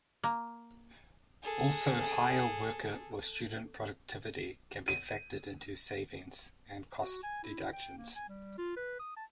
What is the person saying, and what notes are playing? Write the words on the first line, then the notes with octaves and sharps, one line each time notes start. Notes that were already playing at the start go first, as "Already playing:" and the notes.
Also, higher worker or student productivity can be factored into savings and cost deductions.
A#3
G#4 A4
D#7
F#4
G#5
E4
G5
A#3
G#5
G3
F4
B4
D#6
A5